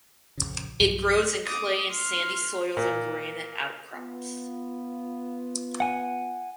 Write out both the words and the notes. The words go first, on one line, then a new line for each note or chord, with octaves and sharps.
It grows in clay and sandy soils on granite outcrops.
A#1 F2 C#3
B1 G2 F#3
D6 D#6
C6 F6
A#2
B3 F4
F#5 G#5